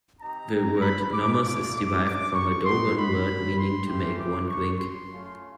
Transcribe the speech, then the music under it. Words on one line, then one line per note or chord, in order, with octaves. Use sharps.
The word Nommos is derived from a Dogon word meaning to make one drink.
C4 D#4 G4 A#5
B5
D6
A3 D4 F4 D6
D6
D6
C#6
B3 D#4 F#4 C6
B5
C6
A3 C#4 E4 G4
D6
C#6
C6
A3 C#4 F4